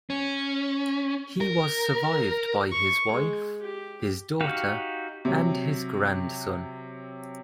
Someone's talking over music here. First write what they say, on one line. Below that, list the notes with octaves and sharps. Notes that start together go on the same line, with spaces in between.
He was survived by his wife, his daughter, and his grandson.
C#4
A#4
C#6
G#3
G4
D#4 F#4 G4 F5
C3 F#3